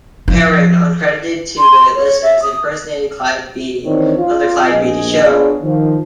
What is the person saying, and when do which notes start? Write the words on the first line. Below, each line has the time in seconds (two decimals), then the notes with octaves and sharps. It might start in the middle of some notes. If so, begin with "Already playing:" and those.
Perrin, uncredited to the listeners, impersonated Clyde Beatty on The "Clyde Beatty Show".
0.28 F3
1.58 C6
1.95 C#5
2.22 E5
2.42 D#6
3.85 D#3 E3 C4 D4 D#4 C#5
4.17 F4
4.70 A#1 D#5 G#5
5.22 B3 D4 F4 G#4 B4 C#5
5.62 D#3 F3